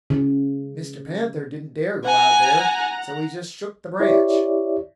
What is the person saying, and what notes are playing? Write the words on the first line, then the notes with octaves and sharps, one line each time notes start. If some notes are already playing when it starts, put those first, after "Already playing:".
Mr. Panther didn't dare go out there, so he just shook the branch.
C#3
F#5 G#5 A#5
E4 G4 C#5 D5 E5